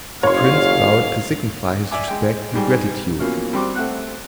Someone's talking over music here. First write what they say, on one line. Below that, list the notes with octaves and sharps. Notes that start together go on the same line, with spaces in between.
The prince bowed to signify his respect and gratitude.
F#1 G#2 C#5 F5 C6
D5 E5 G#5 D6
G#3 G5
G#2 G3 G#4
E2 F3 F#3 A#3 C#4 F6
G3 C4 F#4 C6 D6
A3 C4 F#5 F#6